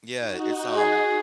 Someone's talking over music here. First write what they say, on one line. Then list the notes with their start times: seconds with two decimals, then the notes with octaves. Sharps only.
Yeah, it's, um,
0.18 D#4 F#4
0.75 G#4